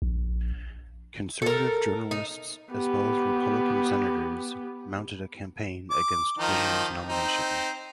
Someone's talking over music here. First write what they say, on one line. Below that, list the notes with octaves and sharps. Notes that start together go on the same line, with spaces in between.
Conservative journalists, as well as Republican Senators, mounted a campaign against Guinier's nomination.
A#1
A4 A#4
D#4
B3 G4
D6
D#3 F3 D#4
C4 D#4